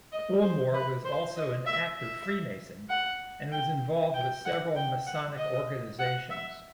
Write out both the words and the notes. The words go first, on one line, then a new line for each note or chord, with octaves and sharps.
Bullmore was also an active freemason, and was involved with several masonic organizations.
D#5
C5
B4
C5
D#5
E5
E5
F#5
G5
G5
F#5
G5
F#5
D#5
F#5
E5